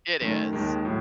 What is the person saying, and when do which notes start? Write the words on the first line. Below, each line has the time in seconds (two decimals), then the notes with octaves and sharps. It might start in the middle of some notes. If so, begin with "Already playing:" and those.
It is.
0.21 F#2 D#3 A3
0.53 D#2 D#3 G#3
0.85 A2 F#3